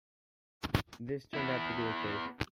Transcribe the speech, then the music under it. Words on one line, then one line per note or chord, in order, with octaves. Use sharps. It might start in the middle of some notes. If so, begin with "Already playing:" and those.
This turned out to be the case.
B3 E4